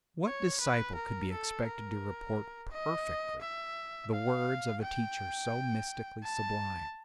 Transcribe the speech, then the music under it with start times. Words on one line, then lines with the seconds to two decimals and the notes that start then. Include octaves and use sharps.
What disciple could be expected to report perfectly the words of a teacher so mystically sublime?
0.24 C#5
0.60 B4
0.95 A#4
1.31 A4
1.66 A#4
2.71 D#5
3.41 E5
4.12 F5
4.83 G5
6.23 A5